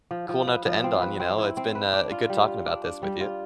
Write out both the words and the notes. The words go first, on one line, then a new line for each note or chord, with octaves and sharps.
cool note to end on, you know, it's been, uh, a good talking about this with you.
F3
F3
B4
F3
C4
B4
C4
E4
C4
B4
D4
F4
G3
F4
D4
D4
G3
F4